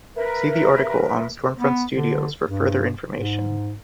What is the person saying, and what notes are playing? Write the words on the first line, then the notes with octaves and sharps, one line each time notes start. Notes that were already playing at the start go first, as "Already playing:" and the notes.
See the article on Stormfront Studios for further information.
A#4 B4 E5
B3
D3
G2
G#2